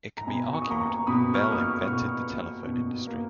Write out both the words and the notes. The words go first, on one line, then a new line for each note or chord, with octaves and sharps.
It can be argued that Bell invented the telephone industry.
A#5
B2 G#5 B5
C#6
D#6
A#3 A#5 C#6
A#5 C#6
B2 B5 D#6
C#6 F6
A#3 D#6
C#6 F6
B2 C#6 F6
A#3
B2
A#3